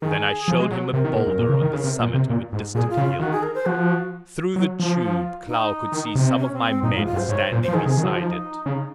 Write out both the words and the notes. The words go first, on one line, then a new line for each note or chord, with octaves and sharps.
Then I showed him a boulder on the summit of a distant hill; through the tube, Klow could see some of my men standing beside it.
D#3 G#4
F3
G#3
F#3
C3 A#4
D#3
A#2
F#2
A#2
C#3
D#3
C#3
C3
A#2
C3
A#2
G#2
A#2 G#4
F4
C#3
F4
D#3 F#4
G#4
A#4
C5
F3 F#4
F#3
F3
F4
D#4
D#3
C3
C#4
C4
C4
A#2 D#4
F4
G#2
F4
F#2
C5
G#2 C#5
C5
A#2
C5
F3
D#3 G#4
C3
G#4
D#3
F#3
F3
D#4
C#3